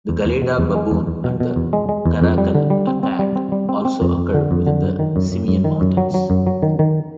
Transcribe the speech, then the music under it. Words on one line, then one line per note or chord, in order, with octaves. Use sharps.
The gelada baboon and the caracal, a cat, also occur within the Simien Mountains.
E2
E2
B2
E2
G#3
E2
E2
B2
B2
E2
G#3
G#3
E2
F2
G3
D3
G3
C4
C4
G3
C4
G3
C4
C4
F2
F2
D3
F2
D3
F#2
D#3
F#2
F#2
F#2
D#3
F#2
F#3
F#3
F#2
F#3
D#3
D#3